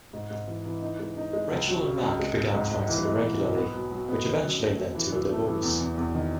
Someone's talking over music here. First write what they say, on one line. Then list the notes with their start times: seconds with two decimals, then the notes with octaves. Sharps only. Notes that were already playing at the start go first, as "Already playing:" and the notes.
Rachel and Mac began fighting regularly, which eventually led to a divorce.
0.13 G#2
0.31 G#2
0.48 E3
0.66 E3
0.82 D#4
0.99 G#3
1.17 D#4
1.33 G#3
1.51 C#2
1.68 F#3
1.85 C#3
2.03 C#2
2.19 G#3
2.37 G#3
2.54 G#2
2.71 G#2
2.88 E3
3.05 G#3
3.22 E3
3.40 B1
3.57 B3
3.74 F#3
3.91 F#3
4.09 B3
4.26 D#3
4.44 F#2
4.60 A3
4.77 F#2
4.95 E3
5.12 F#2
5.29 A3
5.46 E3
5.63 E2
5.81 E2
5.97 E2
6.15 D#3